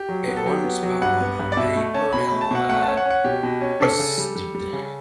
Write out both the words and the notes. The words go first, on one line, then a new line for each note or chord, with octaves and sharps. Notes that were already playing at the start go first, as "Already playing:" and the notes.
It once powered a paper mill at Basted.
Already playing: G4
F#3
B3
A4
F#3 G4
B3
F#3
G2 F#5
B3
G2
D5
B2 E5
A3
C#4 A5
B2 B5
A3 B5
A5
B2 F#5
A3 F#5
C#4 A5
F#5
C#4
F#5
B2 G4
B2
C#4
D4 A4
C#3
G3
G3
G3
C#3